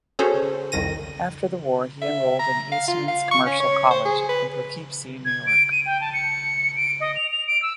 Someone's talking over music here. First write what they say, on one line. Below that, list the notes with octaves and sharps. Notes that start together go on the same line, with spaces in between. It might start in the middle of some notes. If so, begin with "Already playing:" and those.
After the war he enrolled in Eastman's Commercial College in Poughkeepsie, New York.
C#4 F#4 G#4 A4 C5 C#5
C2 F2 D#3 A#6 D#7
E5
A#5
F5
F4
F5
C#6
C#4
C#5
C5
G#4
B4
G#6
D7
D#7
G5
A5
C#7
D7
D#5
F7
F7
D7
E6